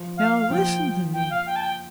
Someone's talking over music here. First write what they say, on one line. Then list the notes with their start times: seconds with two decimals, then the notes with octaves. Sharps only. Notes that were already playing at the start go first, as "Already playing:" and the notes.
Now listen to me.
Already playing: F3
0.17 F5
0.38 F5
0.50 F3 G5
1.13 G5
1.30 F5
1.46 G5
1.56 A5
1.61 G5